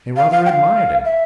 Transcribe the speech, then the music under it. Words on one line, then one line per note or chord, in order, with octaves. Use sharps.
They rather admired him.
F5
F5
G5
F5
E5